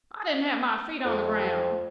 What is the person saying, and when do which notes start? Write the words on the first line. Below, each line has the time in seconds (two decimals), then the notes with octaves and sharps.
I didn't have my feet on the ground.
1.05 F2